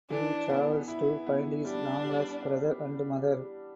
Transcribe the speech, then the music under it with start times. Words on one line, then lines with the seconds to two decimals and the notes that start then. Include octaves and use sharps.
He travels to find his long lost brother and mother.
0.10 E3 D4
0.49 B3
0.88 E4
1.26 B3
1.65 G3 D4
2.04 G3
2.43 D4